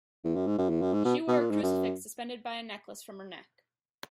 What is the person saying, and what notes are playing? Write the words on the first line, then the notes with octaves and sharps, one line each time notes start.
She wore a crucifix suspended by a necklace from her neck.
E2
F#2
G#2
F#2
E2
F#2
G#2
B2
B2
A#2
G#2
F#2